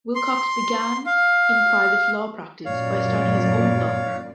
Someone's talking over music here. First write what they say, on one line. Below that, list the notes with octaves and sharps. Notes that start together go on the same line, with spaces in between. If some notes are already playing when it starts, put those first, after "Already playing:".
Wilcox began in private law practice by starting his own law firm.
C6
F5
F#2 A#2 C#5 D5 F5